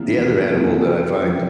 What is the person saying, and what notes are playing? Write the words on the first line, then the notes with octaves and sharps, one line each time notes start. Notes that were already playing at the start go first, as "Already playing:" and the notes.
The other animal that I find
Already playing: E2 C3 F3 A#3 E4
E2
C3 F3 A#3 E4
F1 G5
G5
C3 F3